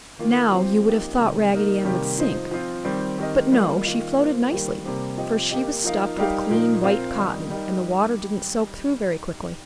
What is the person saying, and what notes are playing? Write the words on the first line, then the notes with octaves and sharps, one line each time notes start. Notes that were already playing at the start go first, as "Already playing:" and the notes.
Now, you would have thought Raggedy Ann would sink, but no, she floated nicely, for she was stuffed with clean white cotton and the water didn't soak through very quickly.
D#3 A#3 F4
F3 C4 G4 C5
F3 A#3 D#4 G4
C3 D#3 G3
A#3 D#4 A#4
C3 D#3 G3 A#3 G4
F3 D#4 C5 D#5
F3 C4 F4
D#3 G3 C4
D#3 C4 G4 A#4 D#5
G3 A#3 F4 D#5
D#3 A#3 F4 D#5
A#3 F4 C5
D#3 G3 A#3 G4
C3 G3 A#3 G4 C5
F3 C4 G4 D#5
A#3 G4 D#5
F3 D#4 A#4 F5
G3 D#4 G4 A#4 F5
A#2 F3 D#4 A#4
C4 F4 A#4 F5
D#3 G3 D#4
G3 D#4 G4 A#4 D#5